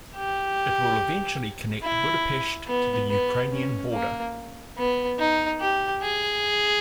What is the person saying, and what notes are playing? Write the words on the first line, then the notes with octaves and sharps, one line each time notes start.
It will eventually connect Budapest to the Ukrainian border.
G4
E4
B3
B3
C#4
A#3
B3
D#4
G4
G#4